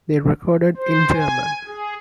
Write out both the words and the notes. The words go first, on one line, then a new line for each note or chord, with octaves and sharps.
They recorded in German.
C5
G#5
G#4